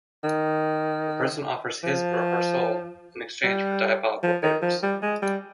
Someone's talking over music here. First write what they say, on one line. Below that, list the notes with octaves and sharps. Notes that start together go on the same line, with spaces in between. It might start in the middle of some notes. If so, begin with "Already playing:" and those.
The person offers his or her soul in exchange for diabolical favours.
D#3
F3
G3
F3
D#3
F3
G3
G#3
G3